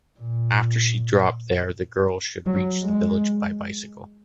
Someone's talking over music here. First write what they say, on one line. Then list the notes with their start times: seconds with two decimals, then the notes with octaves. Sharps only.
After she drop there, the girl should reach the village by bicycle.
0.20 A#2
2.46 F#3
2.83 G#3